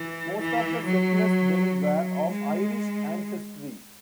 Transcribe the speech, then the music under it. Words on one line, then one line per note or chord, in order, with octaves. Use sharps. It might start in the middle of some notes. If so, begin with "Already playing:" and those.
Most of the settlers then were of Irish ancestry.
Already playing: E3
E3
F#3
F#3
G#3